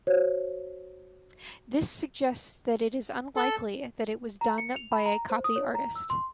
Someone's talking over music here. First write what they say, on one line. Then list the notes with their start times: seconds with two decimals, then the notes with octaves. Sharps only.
This suggests that it is unlikely that it was done by a copy artist.
0.07 F#4 C5 C#5
3.36 A4
4.41 A#5
4.58 C#7
4.76 F7
4.92 B5
5.06 A#5
5.30 C5
5.44 D#6
5.56 C#5
5.75 A#5
5.95 E6
6.10 C6